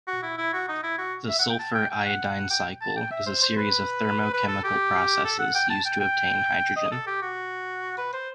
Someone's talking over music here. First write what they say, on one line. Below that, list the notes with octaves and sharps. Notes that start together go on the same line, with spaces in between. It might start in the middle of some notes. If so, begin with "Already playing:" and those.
The sulfur-iodine cycle is a series of thermo-chemical processes used to obtain hydrogen.
F#4
E4
E4
F#4
D#4
E4
F#4
E5
F#5
G5
A5
G5
G5
F#5
G5
A5
G5
E5
C5
C5
B4
B4
A4
G4
A4
F#5
G5
A5
G5
G5
D#5
A4
G4
F#4
B4
C5